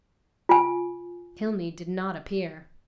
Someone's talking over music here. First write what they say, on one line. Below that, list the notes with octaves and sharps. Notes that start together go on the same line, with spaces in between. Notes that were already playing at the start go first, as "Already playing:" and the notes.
Tilney did not appear.
F4 G#5